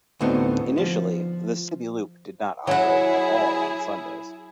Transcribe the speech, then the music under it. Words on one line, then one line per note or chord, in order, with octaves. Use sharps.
Initially, the City Loop did not operate at all on Sundays.
D2 A2 A3 B3 C4 D#4
F3
F#3 E4 F#4 G#4